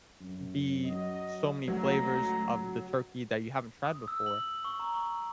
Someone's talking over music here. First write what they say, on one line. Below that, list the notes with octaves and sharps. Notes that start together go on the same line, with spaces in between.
be so many flavors of the turkey that you haven't tried before,
F#2
F#3 D#5
C#2 F#3 A3 A#5
D#6
E6
F#7
C#6
A#5
C#6